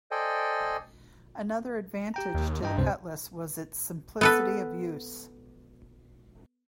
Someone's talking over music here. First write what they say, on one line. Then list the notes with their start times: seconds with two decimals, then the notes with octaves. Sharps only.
Another advantage to the cutlass was its simplicity of use.
0.11 A4 C5 D5 D#5 G5 G#5
2.14 G4 G5 A#5
2.34 D#2
2.63 G2 D#5 G5 A#5
2.77 C#2 C3 C5
4.21 B3 A4 B4